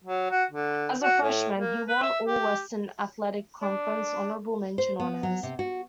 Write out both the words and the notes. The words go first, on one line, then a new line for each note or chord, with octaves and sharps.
As a freshman, he won All-Western Athletic Conference honorable mention honors.
F#3
F#4
D3
F#4
A2
A#3
B4
E5
G4
D4
C5
B3
F#3
C3
F#4